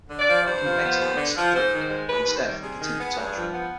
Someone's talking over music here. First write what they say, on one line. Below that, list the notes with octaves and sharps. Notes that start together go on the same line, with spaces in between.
Framkin begs the puppets to kill him, but instead, they continue torturing him.
D3
D5
F3
G2 C5
F3
B3
D#2
D3
F3
G#2 C5
D#3
C5
G#3
D#2 B4
D#3 B4
C5
G3
C3 G#4
D#3
B3
G2
F3
B3